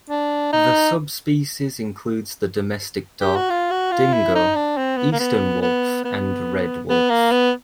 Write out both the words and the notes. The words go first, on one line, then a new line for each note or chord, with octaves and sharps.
The subspecies includes the domestic dog, dingo, eastern wolf and red wolf.
D4
D#4
G4
F#4
F4
F#4
F4
E4
D#4
D4
C4
B3
A#3
B3
B3
B3
B3
A#3
B3